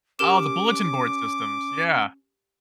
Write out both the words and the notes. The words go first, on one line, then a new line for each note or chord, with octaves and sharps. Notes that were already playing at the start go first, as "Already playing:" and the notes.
Oh, the bulletin board systems, yeah.
C#4 G4 A#4 D6 E7